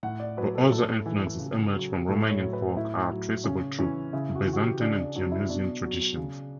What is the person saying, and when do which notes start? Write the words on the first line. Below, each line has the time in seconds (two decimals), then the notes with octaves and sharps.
But other influences emerge from Romanian folk art traceable through Byzantine and Dionysian traditions.
0.03 A2 F#5
0.20 D5
0.37 F#3 B4
0.55 A4
0.71 A2 A4
1.06 E3
1.39 C#3
1.74 F#3
2.08 A2 A4
2.31 C#5
2.42 F#3
2.53 B4
2.76 A2 E4
3.11 F#3
3.44 C#3 C#4
3.79 E3 C#4
4.13 C#3 E4
4.35 F#4
4.47 E3
4.53 F#4
4.58 G4
4.81 C#3 D4
4.98 D4
5.15 F#3 D4
5.32 E4
5.49 B2 D4
5.84 F#3
6.17 C#3